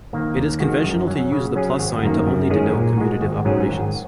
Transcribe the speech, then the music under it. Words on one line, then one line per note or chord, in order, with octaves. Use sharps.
It is conventional to use the plus sign to only denote commutative operations.
D#3 A#3
D#2
D#3 G#3 F#4
F#2
F#3 C#4
C#3
F#3 C#4 G#4
G#1
F#2 D#3 A#3
F#2
D#3 G#3 C#4 G#4
A#2
G#3 F#4
G#1
G#2 F#3 C#4 G#4
G#1